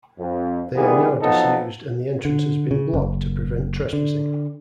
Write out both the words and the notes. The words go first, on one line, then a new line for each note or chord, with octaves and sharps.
They are now disused and the entrance has been blocked to prevent trespassing.
F2
A#2 D#3 E3 G3 B3 G#4
F3 F#3 B3 D#4 A4
D3
C#3
F#1
D3